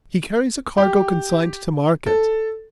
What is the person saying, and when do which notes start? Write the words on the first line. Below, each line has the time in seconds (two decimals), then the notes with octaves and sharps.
He carries a cargo consigned to market.
0.78 G4
2.06 A4